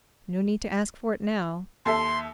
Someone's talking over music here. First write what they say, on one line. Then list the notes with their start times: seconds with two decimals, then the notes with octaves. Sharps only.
No need to ask for it now!
1.85 D#2 A4 E5 C6